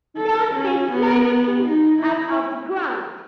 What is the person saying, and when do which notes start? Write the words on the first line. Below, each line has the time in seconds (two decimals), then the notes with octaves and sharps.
Don't pick slimy things up off the ground.
0.18 A4
0.55 C#4
0.91 B3
1.65 D#4
2.02 E4